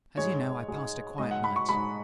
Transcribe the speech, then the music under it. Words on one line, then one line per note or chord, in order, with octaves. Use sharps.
As you know, I passed a quiet night.
G#2 G#3 C#5
G#2 G#3
G#2 G#3 D#5
F#5
B5
C#6
G#2 G#3 B5